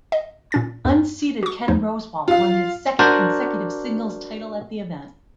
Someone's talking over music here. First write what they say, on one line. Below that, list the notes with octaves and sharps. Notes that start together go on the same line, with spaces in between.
Unseeded Ken Rosewall won his second consecutive singles title at the event.
D#5
A#2 C#4 A6
E2 G2
F#4 C#6
E2 F3 D#4
F4 F5
D4 F#4 A#4 C5 D5